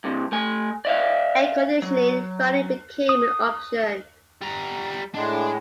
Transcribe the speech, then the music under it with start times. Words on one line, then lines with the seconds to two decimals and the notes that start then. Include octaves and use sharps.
Air conditioning finally became an option.
0.04 G2 C3
0.32 A3 G#5
0.85 D5 E5 F5
1.82 F#3
3.09 D#6
4.42 G3 A#5
5.14 A2 G#3 D4